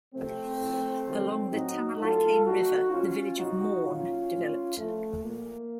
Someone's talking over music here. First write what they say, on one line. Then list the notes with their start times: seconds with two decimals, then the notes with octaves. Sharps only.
Along the Thamalakane River the village of Maun developed.
0.14 C3 F3 A3 C4
0.60 A2 F3
1.07 C3 D#3 F#3
1.53 A2 F#3 D#4 F#4
1.99 A2 F#3 F4 A4
2.46 A2 F#3 D#4 F#4
2.92 A2 F3 C#4 F4
3.38 C3 F#3 D#4 F#4
3.84 A#2 F#3 C#4 F4
4.30 A2 F3
4.76 A2 F3 A3
5.23 A#2 F3 A#3